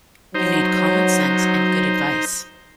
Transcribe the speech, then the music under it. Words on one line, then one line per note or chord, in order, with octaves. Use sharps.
You need common sense and good advice.
F#3 D#4 C5